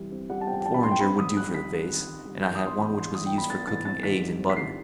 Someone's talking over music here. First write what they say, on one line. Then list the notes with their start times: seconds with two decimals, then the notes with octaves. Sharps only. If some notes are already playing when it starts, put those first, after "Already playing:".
A porringer would do for the vase, and I had one which was used for cooking eggs in butter.
Already playing: C3 E3 G3
0.12 C4
0.30 G3 F#5
0.41 A5
0.47 C4 G5
0.61 G5
0.65 E3 A5
0.74 B5
0.83 G3 C6
0.91 G5
1.01 C4 B5
1.18 D#3 D#6
1.36 G3 F#6
1.54 D#3 B6
1.72 C4
1.90 D#3
2.08 D#3
2.26 G3
2.43 E3 G6
2.55 D#6
2.60 B3
2.67 C6
2.79 E3 B5
2.97 E3 C6
3.15 E3 D#6
3.26 G5
3.32 B3
3.38 B5
3.50 B3 A6
3.67 E3 A6
3.85 C4 A6
4.03 D#3 B6
4.20 G3
4.39 C4
4.50 B6
4.56 D#3 C7